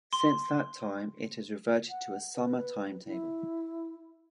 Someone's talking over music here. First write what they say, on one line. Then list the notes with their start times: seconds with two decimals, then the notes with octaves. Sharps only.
Since that time it has reverted to a summer timetable.
0.13 C6
1.90 F#5
2.35 B4
3.06 E4